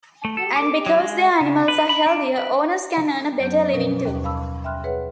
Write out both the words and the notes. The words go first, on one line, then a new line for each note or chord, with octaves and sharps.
And, because their animals are healthier, owners can earn a better living too.
A3
A4
D6
F#3
G#3
C#3
B4
B5
D4
B4
F#2 F#3 B3 C#4 G6
B2 F3 F#3 C#4 A#4 B4
D#2
F5 A5 B5 D6 E6
E5 G5 B5 C6 F6 F#6
G#4 B4 C#5 E5 F#5